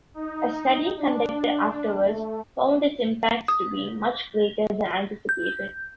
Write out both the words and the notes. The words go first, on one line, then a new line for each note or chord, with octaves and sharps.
A study conducted afterwards found its impacts to be much greater than anticipated.
D#4
D4
A3
D#6
G6